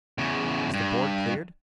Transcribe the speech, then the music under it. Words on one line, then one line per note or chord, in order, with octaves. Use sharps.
"Is the board cleared?"
E2 C#3
G2